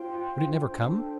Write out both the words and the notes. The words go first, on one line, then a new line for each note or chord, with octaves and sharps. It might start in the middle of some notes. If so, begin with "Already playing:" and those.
Would it never come!
Already playing: F4 C5 G5 C6
D4 A4 C5 G5